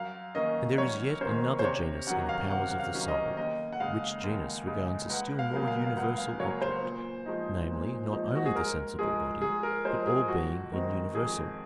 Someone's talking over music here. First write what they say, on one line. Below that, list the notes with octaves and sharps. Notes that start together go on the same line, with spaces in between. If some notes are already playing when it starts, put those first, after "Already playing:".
And there is yet another genus in the powers of the soul, which genus regards a still more universal object--namely, not only the sensible body, but all being in universal.
Already playing: F#2 F5
D#3 A#3 C#4 D#5
F#2 C#5
D#3 A#3 C#4 C5
C5
C3 C#5
D#3 F#3 C#4 F#5
F5
C3 F#5
F#5
F5
D#3 F#3 C#4
D#5
D#2 D#5
F#5
C#3 G#3 F5
D#2
C#3 G#3
C#2 F#5
F5
C#3 F#3 A#3
F5
F5
C#2 F#5
F5
C#3 F#3 A#3 C#5
C5
A#2
F3 G#3 D#4
A#2
F3 G#3 D#4
F#4
G#4
G#2 A#4
F3 G#3 G#4
G#2 G#4
A#4
F3 G#3 C5
G#4
F2 F#4
D#3 G#3 C4
F2 G#4